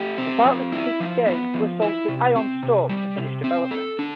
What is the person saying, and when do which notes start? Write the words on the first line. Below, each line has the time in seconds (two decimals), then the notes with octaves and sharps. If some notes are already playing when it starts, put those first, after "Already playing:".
The partially completed game was sold to Ion Storm to finish development.
Already playing: A3 G4
0.18 C4
0.45 F3
0.72 E4
1.00 F3
1.27 B3
1.54 F3
1.82 E4
2.08 C3
2.36 C4
2.63 C3
2.89 G3
3.17 C3
3.44 C4
3.71 A4
3.99 D4